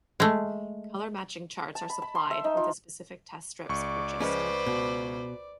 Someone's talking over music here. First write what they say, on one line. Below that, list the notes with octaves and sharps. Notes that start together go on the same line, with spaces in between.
Colour matching charts are supplied with the specific test strips purchased.
G#3 A3
A5
B5
B5
C6
E5
D#4
F4
C#2 D5 C#6
F3 G#3 C#4 B4 C5
B2